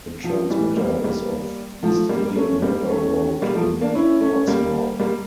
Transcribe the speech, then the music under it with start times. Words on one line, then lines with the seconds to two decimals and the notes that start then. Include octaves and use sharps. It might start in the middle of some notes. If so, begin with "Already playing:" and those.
The transmitter is off East Indian River Road in Portsmouth.
0.24 F3
0.50 E3 G3
0.77 G3 A#3
1.04 G3 A#3
1.83 F3 A3
2.09 G3 A#3
2.25 A#3
2.36 A3 C#4
2.62 G3 A#3
2.89 A3 C#4
3.42 G3 A#3
3.55 F3 A3
3.81 A#3 D4
3.95 C#4 E4
4.20 A3 C#4
4.47 G3 A#3
5.00 G3 A#3